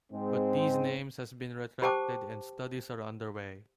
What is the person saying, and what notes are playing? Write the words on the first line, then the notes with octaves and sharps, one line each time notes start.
But these names has been retracted and studies are underway.
G#2 G#3 C4
G4 C5 G5 A5 D6